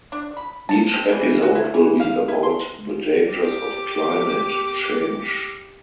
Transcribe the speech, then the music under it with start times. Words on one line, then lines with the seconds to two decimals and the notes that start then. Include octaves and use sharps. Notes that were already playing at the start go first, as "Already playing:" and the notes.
Each episode will be about the dangers of climate change.
0.12 D4
0.37 B5
0.69 A5
0.94 C4
1.13 E3
1.42 F#4
1.55 E4
1.74 E3
2.00 F5
2.28 E4
2.43 C6
3.30 G4 D6